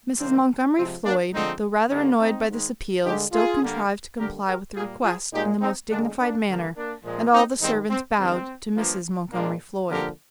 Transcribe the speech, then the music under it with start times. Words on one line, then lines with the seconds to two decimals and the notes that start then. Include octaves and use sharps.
Mrs. Montgomery Floyd, though rather annoyed by this appeal, still contrived to comply with the request in the most dignified manner; and all the servants bowed to Mrs. Montgomery Floyd.
0.18 C3 D#3 G3 A#3 C4
0.77 C3 F3 G#3 C4
1.05 A#3 D4
1.33 D3 F3 G#3 C4 D#4
1.90 G2 D3 G3 A#3 C4 D#4
2.18 C4 D#4
2.48 G#2 D#3 G#3
3.04 G2 D3 G#3 D#4 G4
3.33 F4 G#4
3.61 D3 G3 A#3
4.18 D3 G3 A#3 G4 A#4
4.47 G4 A#4
4.76 A#2 G3 A#3 F4 G#4
5.04 F4 G#4
5.33 A#2 G#3 D#4 G4
5.61 C4 D#4
5.90 D3 G#3 A#3 D4
6.19 A#3 D4
6.47 G2 D3 G3 A#3
6.76 A#3 D4
7.04 A#2 F3 G#3
7.33 C4 D#4
7.61 G#2 D#3 G3 C4 D#4
7.90 C4
8.18 G2 D#3 G#3 C4
8.76 G2 F3 A#3
9.33 A#2 G#3 A#3 D4
9.89 D3 F3 A#3 G4 A#4